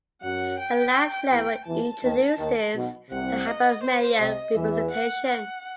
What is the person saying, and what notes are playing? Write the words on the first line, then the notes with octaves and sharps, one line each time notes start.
The last level introduces the hypermedia representation.
F#2 F#3 F#5
G5
E2 E3
E2 E3 A5
D#2 D#3
D#2 D#3
B1 B2
C2 C3 F#5
D#5
C5
C2 C3 D#5
E2 E3 E5
F#5
F#5